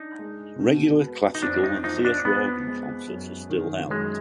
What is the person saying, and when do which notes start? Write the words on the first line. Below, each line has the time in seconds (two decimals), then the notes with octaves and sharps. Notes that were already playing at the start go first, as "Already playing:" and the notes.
Regular classical and theatre organ concerts are still held.
Already playing: D4 D#4
0.19 G#3
0.60 B2
1.01 B3
1.35 D#4
1.42 F2 D4
1.63 D#4
1.84 F3 D#4
2.05 D4
2.25 F2 B3
2.67 G#3
3.08 F#2
3.50 D#3
3.91 F#2 G#3